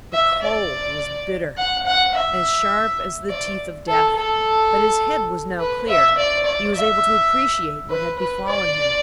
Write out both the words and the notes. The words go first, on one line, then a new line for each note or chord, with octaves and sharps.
The cold was bitter, as sharp as the teeth of death; but his head was now clear, he was able to appreciate what had befallen him.
E5
D5
F#5
F#5
E5
D5
A4
A4
B4
E5
D5
D5
E5
B4
B4
D5